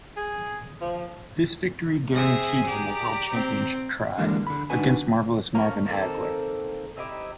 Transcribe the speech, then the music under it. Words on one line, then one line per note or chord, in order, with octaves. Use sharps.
This victory guaranteed him a world championship try, against Marvelous Marvin Hagler.
G#4
F3
C3 G#4 E5 A#6
G4 D5 A#5
C4
D3 E3 G3 G#3 A#3 D4
D3 B5
D2 D4 D#4 F#4 B4 G#5
A3 A#3 C#4 A#4
D#3 A#3 C4 A4
C4 D#4 E4 G4